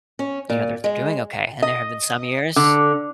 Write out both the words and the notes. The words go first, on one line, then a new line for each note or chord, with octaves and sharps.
you know, they're they're doing okay and there have been some years
C#4
A#2
G#3
D#5
D3